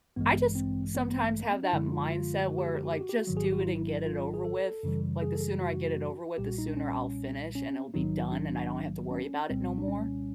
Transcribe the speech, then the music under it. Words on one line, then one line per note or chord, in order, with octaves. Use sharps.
I just sometimes have that mindset where, like, just do it and get it over with. Like, the sooner I get it over with, the sooner I'll finish and it'll be done and I don't have to worry about it no more.
A1 G2 E3 G#3 B3
C4
B3
A3
A#3
C4
D4
F#2 D3 F3 G#3 E4
F4
F4
F#4
G4
F#4
G4
F#4
G4
F#4
G4
F#4
G#1 G#2 D#3 F#3
G#4
G4
F#4
F4
E4
F4
G#4
A4
F#2 C#3 E3 G3
G#4
A4
G#4
F#4
B1 A#2 G3 G4
F#4
D#4
D4
C#4
C#4
A#1 G#2 D#3 F#3 D#4
D4
C#4
C2 A#2 G3 C4
D4
C#4